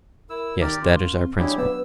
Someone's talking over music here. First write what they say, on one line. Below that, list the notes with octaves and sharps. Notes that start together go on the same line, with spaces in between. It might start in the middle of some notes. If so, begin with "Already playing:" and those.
Yes; that is our principle.
E4 A#4 E6
D#3 D#4 G4 A#4 D5
C#4 F4
C4
F#3 D4 E4 G4 G#4 C#5
B3 B4 E6